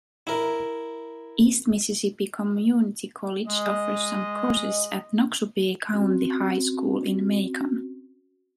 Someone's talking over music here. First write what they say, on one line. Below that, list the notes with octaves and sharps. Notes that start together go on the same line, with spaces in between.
East Mississippi Community College offers some courses at Noxubee County High School in Macon.
E4 A#4
G#3 D#5
C4 C#4 F#4